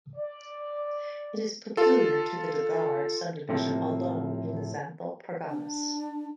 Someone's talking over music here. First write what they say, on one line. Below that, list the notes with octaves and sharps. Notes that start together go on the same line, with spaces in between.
It is peculiar to the Deoghar subdivision alone in the Santhal Parganas.
D5
F4 A4
A2 C3 F3 A#3
D4